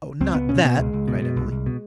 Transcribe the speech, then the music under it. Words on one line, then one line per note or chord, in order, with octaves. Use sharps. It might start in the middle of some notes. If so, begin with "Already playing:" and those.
'Oh, not that!' cried Emily.
C#2 C4
C#2 B3
B2 C#4
B2 B3
C#2 G#3
C#2
B2
B2
C2
C2
B2